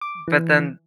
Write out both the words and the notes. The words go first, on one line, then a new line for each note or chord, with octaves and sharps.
But, then
D6
E3